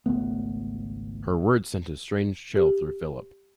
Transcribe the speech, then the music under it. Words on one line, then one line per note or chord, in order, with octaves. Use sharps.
Her words sent a strange chill through Philip.
G#1 C#2 A3 B3
G4